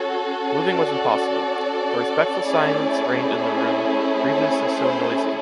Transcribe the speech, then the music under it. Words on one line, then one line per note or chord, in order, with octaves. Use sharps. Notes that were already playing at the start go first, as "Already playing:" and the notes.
Moving was impossible: a respectful silence reigned in the room, previously so noisy.
Already playing: C#4 F#4 A4 C#5
D5
A3 C#4 E4 G#4
C#5
C5